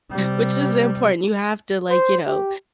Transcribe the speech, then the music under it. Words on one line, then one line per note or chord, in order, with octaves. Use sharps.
Which is important, you have to, like, you know
C3 G3
C5
G4